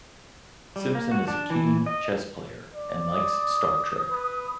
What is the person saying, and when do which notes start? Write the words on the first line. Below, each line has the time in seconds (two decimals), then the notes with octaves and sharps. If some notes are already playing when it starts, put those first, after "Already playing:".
Simpson is a keen chess player, and likes Star Trek.
0.76 G3
0.95 A#3
1.11 F#4
1.28 D4
1.50 E3
1.86 D#5
2.75 D5
3.10 D#6
4.11 B4